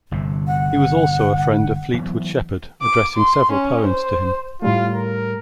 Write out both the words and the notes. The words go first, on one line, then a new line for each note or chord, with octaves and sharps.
He was also a friend of Fleetwood Shepheard, addressing several poems to him.
G1 G2 C3
F#5
E3 F#3 B3
D6
C6
C#4
C5
A2 G3 A3 F4
A#4